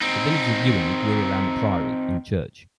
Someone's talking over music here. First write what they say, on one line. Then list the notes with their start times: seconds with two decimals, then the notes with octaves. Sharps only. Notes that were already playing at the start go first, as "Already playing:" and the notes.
The village of Ewenny grew around the priory and church.
0.01 C4 D#4